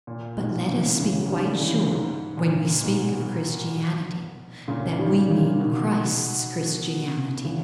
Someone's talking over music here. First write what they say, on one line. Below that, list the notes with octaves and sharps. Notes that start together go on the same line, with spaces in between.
But let us be quite sure when we speak of Christianity that we mean Christ's Christianity.
A#2
G#2 B2
C#3 E3
C#3 E3
D#3 G3
C#3 E3
G#2
A#2
G#2 B2
A#2 C#3
D#3 G3
C#3 E3
B2 D#3
C#3 E3